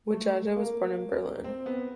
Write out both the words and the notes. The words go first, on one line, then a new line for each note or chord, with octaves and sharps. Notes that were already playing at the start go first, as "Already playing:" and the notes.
Widjaja was born in Berlin.
A3
A#3
C4
B3